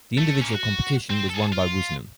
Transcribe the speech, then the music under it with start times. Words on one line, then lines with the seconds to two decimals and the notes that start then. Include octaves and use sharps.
The individual competition was won by Woosnam.
0.18 A3
0.42 A#3 C#4
0.54 F#4
1.10 C4 C5
1.29 G#4 A4
1.52 F4